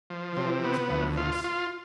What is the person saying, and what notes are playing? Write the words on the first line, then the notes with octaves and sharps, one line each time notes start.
No, it is better thus.
F3
C3
B3
D2
F4
F4